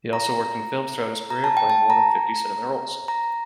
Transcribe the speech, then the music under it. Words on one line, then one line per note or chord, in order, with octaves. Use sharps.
He also worked in films throughout his career, playing more than fifty cinema roles.
A#5
A#5
A5
G5
A5
A#5
A#5